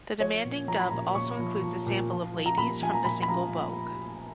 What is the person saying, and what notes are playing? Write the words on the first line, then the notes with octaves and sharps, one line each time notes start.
The "Demanding Dub" also includes a sample of "Ladies" from the single "Vogue".
F3 C#5
A#2
F3 A#5
B5
A#2 A#5
A#2 C#6
F3
F3
A#2
F3
F3
A#5
A#2 B5
F3 G#5
A#5
A#2 B5
B5
F3 A#5